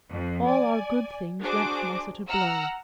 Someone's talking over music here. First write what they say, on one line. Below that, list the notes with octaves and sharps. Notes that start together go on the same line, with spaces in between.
All our good things went from us at a blow.
F2
D5 G#5
D4 F#4 G#4 C5 D6
F#5 A#5 E6 F6